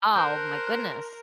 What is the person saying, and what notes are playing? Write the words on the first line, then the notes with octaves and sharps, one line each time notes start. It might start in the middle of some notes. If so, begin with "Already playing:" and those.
Oh my goodness.
A#4 C5 A5 F#6 G6